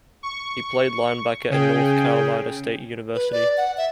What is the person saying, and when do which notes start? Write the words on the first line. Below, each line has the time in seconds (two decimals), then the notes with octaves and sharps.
He played linebacker at North Carolina State University.
0.23 C#6
1.50 C#3 G#4 G5
3.14 B4
3.32 D5
3.57 F#5
3.77 E5